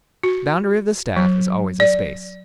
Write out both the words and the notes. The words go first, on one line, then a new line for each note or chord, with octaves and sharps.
The boundary of the staff is always a space.
F#4
F#3
D5